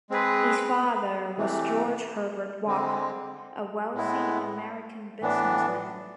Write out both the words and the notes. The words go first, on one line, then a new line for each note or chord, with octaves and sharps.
His father was George Herbert Walker, a wealthy American businessman.
G#3 C4 G#4 B4
C3 E3 A3
D3 G#3 C4
A2 G#3 B3 E4
A2 E3 B3 D4